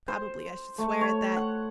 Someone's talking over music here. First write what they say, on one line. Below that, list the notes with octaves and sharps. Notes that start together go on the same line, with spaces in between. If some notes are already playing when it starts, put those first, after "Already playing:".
Probably I should swear at that.
C5
A3
C#5
F#5